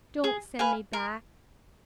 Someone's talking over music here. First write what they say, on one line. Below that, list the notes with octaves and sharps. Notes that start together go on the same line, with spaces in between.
Don't send me back!
G#4
B4 F5 G#5
A#4